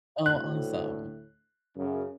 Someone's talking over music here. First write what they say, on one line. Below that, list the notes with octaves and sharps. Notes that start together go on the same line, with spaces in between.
Oh, awesome.
D2 A2 F#6
F#2 C#3